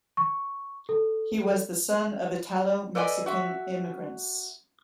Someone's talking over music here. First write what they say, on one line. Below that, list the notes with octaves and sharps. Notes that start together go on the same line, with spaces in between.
He was the son of Italo-Mexican immigrants.
C#6
A4
A4 B4 D5 D#5 G#5
F#4 E5